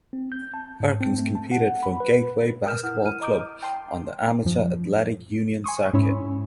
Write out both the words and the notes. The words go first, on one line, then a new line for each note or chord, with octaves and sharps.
Perkins competed for Gateway Basketball Club on the Amateur Athletic Union circuit.
C4
G6
A5
G#2
C4
A3
A5
F#5
B5
B4
A#4 D#6 F6 G6 E7
E4 F#5 F6
F6 D#7
D#5 A#5 D6 D#6 G6 D7
G5 A5 C6
F#2 F3
G#5 C6 C#6 D#6
G#2 C#4 E4 C#5 B5 E6